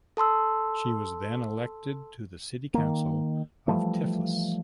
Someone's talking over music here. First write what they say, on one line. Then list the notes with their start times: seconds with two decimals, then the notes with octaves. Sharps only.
She was then elected to the city council of Tiflis.
0.17 A4 A5 C6 E6
2.74 D#3 A#3
3.68 E3 F3 G3 A3